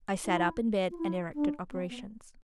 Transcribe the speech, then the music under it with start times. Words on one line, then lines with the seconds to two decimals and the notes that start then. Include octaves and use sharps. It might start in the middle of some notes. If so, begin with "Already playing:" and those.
I sat up in bed and directed operations.
0.25 E4
0.91 F4
0.98 E4
1.34 D4
1.72 C4
1.89 B3